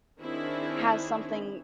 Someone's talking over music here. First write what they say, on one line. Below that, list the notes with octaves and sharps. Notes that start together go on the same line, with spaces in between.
has something
D#3 C4 D4 E4 G#4 C#5